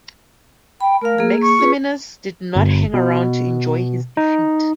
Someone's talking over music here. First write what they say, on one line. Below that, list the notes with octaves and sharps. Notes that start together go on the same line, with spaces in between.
Maximinus did not hang around to enjoy his defeat.
G5 B5
A3 A#4 F5
A#3 G#4
C#6
F4 G#4 B4
G1
B2
D#4